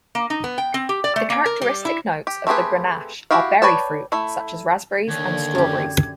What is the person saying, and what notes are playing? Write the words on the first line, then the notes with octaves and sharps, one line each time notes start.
The characteristic notes of Grenache are berry fruit such as raspberries and strawberries.
A#3
D#4
B3
G5
C4
G4
D5
A3
A#3
A#4
G3
E4
G4
A3 C4 G4 G#4 B4
E4 F#4 G4 F5
B4 C#5 D5 G5 A5
A3 E4
D#2 D3 G#6
F#2 G4